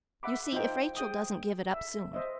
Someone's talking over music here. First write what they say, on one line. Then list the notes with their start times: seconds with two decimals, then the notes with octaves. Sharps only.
You see if Rachel doesn't give it up soon.
0.23 E5 F#5 B5 D6
0.53 D#4 F4 C5 G5
0.97 G#4 G5 D#6
1.73 E5
2.13 C5 D#5 E5